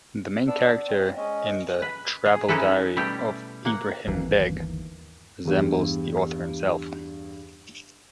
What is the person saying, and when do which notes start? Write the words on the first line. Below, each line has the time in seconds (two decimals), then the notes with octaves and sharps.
The main character in the "Travel Diary of Ebrahim Beg" resembles the author himself.
0.48 B3 D4 D5 E6
0.88 C4
1.17 G#3 C#4 D#5
1.82 B4
2.26 G#4
2.48 C#4 D#4 E4 F#4 A4 B4
2.97 B2 G3 A3 E4 G4
3.65 A#3 F#5
4.07 G1 D#2 E3 A#3
5.45 E2 G2